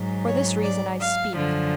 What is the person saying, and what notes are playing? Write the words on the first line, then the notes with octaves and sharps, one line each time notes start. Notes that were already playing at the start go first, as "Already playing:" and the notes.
For this reason I speak.
Already playing: G#2 F#3
C#5
D5
F5
F#2 D3 F3